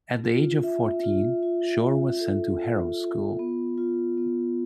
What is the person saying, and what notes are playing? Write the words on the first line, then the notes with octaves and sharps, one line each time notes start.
At the age of fourteen Shore was sent to Harrow School.
F4
E5
F4
F4
F4
A4
F4
F4
B3
F4
B3